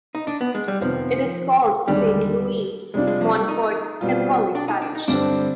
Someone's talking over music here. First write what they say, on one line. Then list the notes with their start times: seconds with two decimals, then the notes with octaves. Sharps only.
It is called Saint Louis Montfort Catholic parish.
0.15 D#4
0.27 D4
0.41 B3
0.55 G#3
0.68 G3
0.81 F2 C3 D#3 F3 B3
1.88 D#2 D3 G3 G#3 D4
2.94 C3 G3 G#3 D4 F4
3.07 G#3
3.21 F3
3.35 G3
3.48 D#4
4.01 B2 G3 C4 F4
4.55 D4
4.68 D#4
4.82 D4
4.95 D#4
5.08 G2 D3 G3 C4 D4